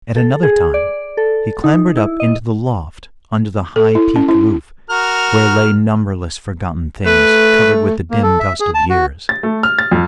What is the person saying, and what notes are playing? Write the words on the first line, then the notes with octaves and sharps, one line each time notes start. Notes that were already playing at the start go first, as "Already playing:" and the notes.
At another time he clambered up into the loft under the high peaked roof, where lay numberless forgotten things covered with the dim dust of years.
A4
G#4
D5
A4
D#4
E4
D#5
A4
E4
C#4
E4
F#4 A#4 F6
A3 B4
A#3
A4
E5
G#4
A5
F#4
A6
A3
F6
A6
F2